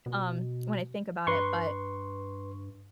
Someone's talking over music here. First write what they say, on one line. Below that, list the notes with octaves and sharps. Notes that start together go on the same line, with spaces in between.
funny, um, when I think about it. But,
B2
G2 B4 C6 C#6